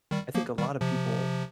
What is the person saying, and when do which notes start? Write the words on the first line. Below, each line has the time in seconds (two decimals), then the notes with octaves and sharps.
I think a lotta people,
0.11 D#3 G3
0.35 F3 A#3
0.58 D#3 G3
0.81 C3 F3